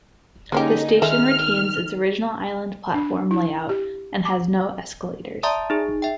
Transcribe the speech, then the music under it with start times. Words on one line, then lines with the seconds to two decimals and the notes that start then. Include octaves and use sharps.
The station retains its original island platform layout and has no escalators.
0.52 D3 G#3 A#3 C#4 D#4 G4 G#5
1.02 D#3 G#3 E5 F6
2.94 D4
3.31 E4
3.69 G4
4.25 D6
5.43 D5 E5 A5 A#5 C6 D#6
5.70 D#4 G#4
6.02 E5 G5